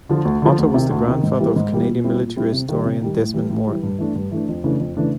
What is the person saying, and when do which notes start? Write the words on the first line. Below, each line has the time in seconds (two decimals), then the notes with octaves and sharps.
Otter was the grandfather of Canadian Military historian Desmond Morton.
0.09 D3 F3
0.25 D2
0.42 D3 F3
0.59 D2
0.74 C3 D#3
0.90 D2
1.07 C3 D#3
1.23 G#2
1.39 E3 G3 A#3
1.56 G#2
1.72 E3 G3 A#3
1.88 A#2
2.04 G3 C4 E4
2.20 A#2
2.36 G3 C4 E4
2.53 C3
2.69 D#3 G3
2.85 C3
3.01 D#3 G3
3.18 A2
3.34 E3 G3
3.50 A2
3.67 E3 G3
3.83 G2
3.99 E3 A3 D4
4.15 G2
4.31 E3 A3 D4
4.48 F2
4.64 C#3 E3 A3 D4
4.80 F2
4.97 C#3 E3 A3 D4